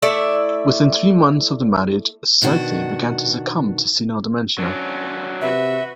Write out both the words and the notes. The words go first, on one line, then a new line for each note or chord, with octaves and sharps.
Within three months of the marriage, Southey began to succumb to senile dementia.
A3 E4 D5 E5
B2 D#3 D4 F#4
F#3 C#4 D4
C3 F#4 B4 E5